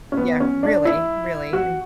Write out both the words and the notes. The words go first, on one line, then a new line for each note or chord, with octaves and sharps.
Yeah, really really, and
C#4
B3
C#4
D4
E4
F#4